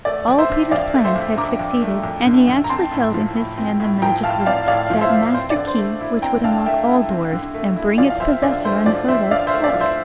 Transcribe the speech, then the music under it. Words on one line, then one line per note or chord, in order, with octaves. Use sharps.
All Peter's plans had succeeded, and he actually held in his hand the magic root--that master-key which would unlock all doors, and bring its possessor unheard-of luck.
A3 D5
F2
C5 E5
D3
F2 D5 F5
A3
C5 E5
F2
D3 A#5 D6
F2
A3
F2
D3
F2
A#5
C4 A5 C6
A2
F3
A2
C4
A2
F3 G5 A#5
A2 F5 A5
C4 D5 F5
A2 D5 F5
F3
C5 E5
A2
C4 C5
D5
D3
C5
A3
E4
C4 G5 A#5
D3 F5 A5
A3 E5 G5
E4
C4
D3
A3
E4
F3 D5 F5
F5
F2 C5 E5
D3 D5
A3 C5
F3 D5
F2 C5 E5
D3 D5 F5
C5 E5
A3
D5
F3
C5 E5